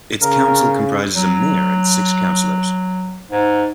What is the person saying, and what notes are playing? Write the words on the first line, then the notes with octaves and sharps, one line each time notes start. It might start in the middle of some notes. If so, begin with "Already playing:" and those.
Its council comprises a mayor and six councillors.
C#3 A#4
F#3
G#2